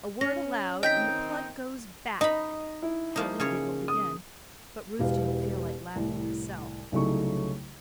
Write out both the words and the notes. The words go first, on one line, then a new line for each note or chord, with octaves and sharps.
"A word aloud and the plug goes back." Helen giggled again, but Ruth didn't feel like laughing herself.
C#4 A#6
D#3 C4 D#4 D#5 G5 G6 B6
D#4 D#5 B5
E4
F3 A#3 D#4
C#3 G#4 C#5
D#6
E1 B2 E4 G4 F5
C2 A2
C2 C#3 F#3 A3 D#4 C#6